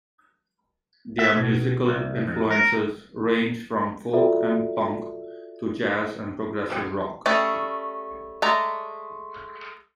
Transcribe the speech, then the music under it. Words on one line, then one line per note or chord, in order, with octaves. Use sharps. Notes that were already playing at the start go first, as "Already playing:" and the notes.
Their musical influences range from folk and punk to jazz and progressive rock.
E5
B2
C2
F2
A#4
F4 F#4 A4 D5 E5
G3 A3 C#4 G#4
G#3 A3 D5 A#5